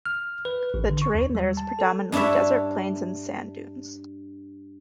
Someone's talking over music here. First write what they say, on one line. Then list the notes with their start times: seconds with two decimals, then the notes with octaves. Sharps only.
The terrain there is predominantly desert plains and sand dunes.
0.06 F6
0.45 B4
0.74 A1
0.90 D3
1.02 C#6
1.15 D#2
1.35 G3
1.57 A5
1.79 A4
2.12 G2 D4 E4 C#5 E5